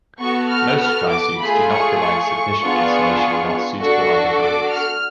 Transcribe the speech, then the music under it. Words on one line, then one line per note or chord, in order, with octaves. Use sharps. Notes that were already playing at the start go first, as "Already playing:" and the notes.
Most drysuits do not provide sufficient insulation without suitable undergarments.
B3 F#4 A4 C#6
F6
F6
D6
A3 F4 G#4 B5
C#6
C#6
B3 D4 F4 G#4
D4 F#4 A4 C#6
D6
F6